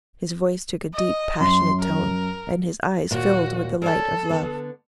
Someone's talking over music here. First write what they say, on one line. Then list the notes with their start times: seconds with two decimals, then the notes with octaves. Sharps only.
His voice took a deep, passionate tone, and his eyes filled with the light of love.
0.94 D#5
1.40 F#2 C6
1.80 A#4
3.11 D#2 A#2 F#4
3.82 A4 A#4 C#5 D5
4.29 D3 B3